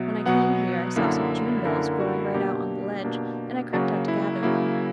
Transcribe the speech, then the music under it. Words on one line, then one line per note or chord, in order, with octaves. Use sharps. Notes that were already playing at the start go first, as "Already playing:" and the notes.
When I came here I saw some junebells growing right out on the ledge and I crept out to gather them.
Already playing: B2 F#3 B3 E5
B2 F#3 B3 F#5
F#2 D3 A#3 E4
F#2 D3 A#3 E4 A#4
F#4
B2 A#3 D4 G4
B2 A#3 D4
C#3 F#3 A#3 F#4
E4
C#3 F#3 A#3 E4